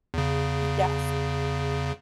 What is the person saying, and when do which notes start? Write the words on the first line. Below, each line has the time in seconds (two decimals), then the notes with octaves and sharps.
Y yes.
0.14 E2 C#3